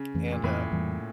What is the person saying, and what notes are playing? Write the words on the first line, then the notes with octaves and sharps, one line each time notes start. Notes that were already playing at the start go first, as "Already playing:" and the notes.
And, uh,
Already playing: C#3
F2 E3 A3
A#2
F2 A2 E3 A3
F2 E3 G3